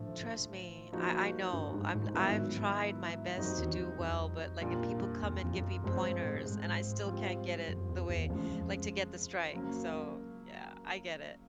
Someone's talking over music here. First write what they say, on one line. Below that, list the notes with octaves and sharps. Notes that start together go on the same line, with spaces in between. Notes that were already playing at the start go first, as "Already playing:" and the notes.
Trust me, I I know, I'm I've tried my best to do well, but, like, if people come and give me pointers, and I still can't get it the way like, to get the strike, so yeah, I get it.
Already playing: A2 D3 F3 A3
F3 A#3 D#4 F#4
G2
G#2
A2
G#2 D#3 F#3 B3 E4
F#2 G3 C4 D#4 F#4
E2
F2
A#2 G3 A#3 D4 F4
F2
F2
F#2
G2 F3 G#3 C4
A2
G#2
G3 C4 F4
F#2
F2
E2
F2 C#3 F3 G#3
C#3 F#3 A#3